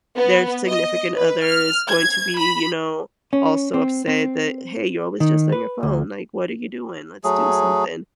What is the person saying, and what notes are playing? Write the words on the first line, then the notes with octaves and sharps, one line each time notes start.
their significant other is going to be, you know, also upset that, "Hey, you're always just on your phone," like, "What are you doing? Let's do something."
B3
D#5
B4
F6
G#6
B5
C#4
C4
C4
D#3
B4
D2
F#3 A3 G#4